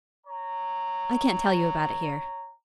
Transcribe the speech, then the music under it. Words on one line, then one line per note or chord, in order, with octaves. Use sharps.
I can't tell you about it here.'
C#5 A#5